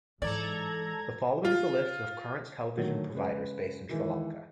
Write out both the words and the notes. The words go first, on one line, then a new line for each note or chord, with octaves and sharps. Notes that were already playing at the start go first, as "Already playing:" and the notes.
The following is a list of current television providers based in Sri Lanka.
G#2 E3 A4 D5 A#5 G#6
F4
D3 D#3 F#3 A3
C#3 G#3 B4
D#3 E3 G#3